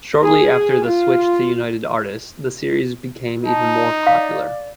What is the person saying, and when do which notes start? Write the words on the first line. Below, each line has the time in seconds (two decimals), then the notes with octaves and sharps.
Shortly after the switch to United Artists, the series became even more popular.
0.22 G#4
0.86 F4
3.45 D#4 A5
4.07 D5 F5